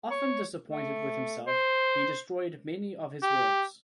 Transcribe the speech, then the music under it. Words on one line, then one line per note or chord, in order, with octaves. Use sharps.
Often disappointed with himself, he destroyed many of his works.
C#5
A3
C5
G4